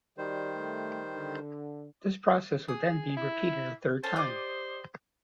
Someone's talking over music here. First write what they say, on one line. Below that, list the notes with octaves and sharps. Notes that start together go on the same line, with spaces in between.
This process would then be repeated a third time.
D#3 G3 F#4 G4 C5 D5
A3
D3
G#4 D#6
E4
C#4 A4 C5 A5
G4 D5 D#5